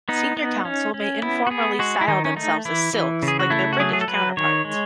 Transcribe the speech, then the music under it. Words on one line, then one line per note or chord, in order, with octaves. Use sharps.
Senior Counsel may informally style themselves as "silks", like their British counterparts.
B3 D#4
B3
C#4
C#4
B3 E4
F#4
B3 G#4
G#3 F#4
E4
D#3 D#4
C#4
A3 D#4
E3 E4
E3
C#3
G#4
F#4
A3 E4
F#4
F#3 G#4
G#4
A4
F#3 B4
D#3 C#5
G#3